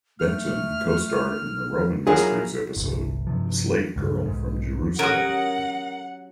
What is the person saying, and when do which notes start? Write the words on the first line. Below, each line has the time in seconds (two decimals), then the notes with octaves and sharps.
Benton co-starred in the Roman Mysteries episode "The Slave Girl from Jerusalem".
0.19 A3 F6
2.07 F#3 E4 F4 G#4 A#4 A#5
2.77 G1 C2
3.27 G2 C3 F3
3.96 C#2 G2
4.26 B1 G#2
4.99 F#3 C#4 F#4 G4 A#4 F#5 D#6